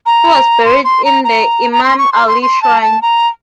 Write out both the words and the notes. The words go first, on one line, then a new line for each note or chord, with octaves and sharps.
He was buried in the Imam Ali shrine.
A#5
C6
C6
A#5
A#5
A#5
C6
C#6
C6
C6
C6
A5
A5
A#5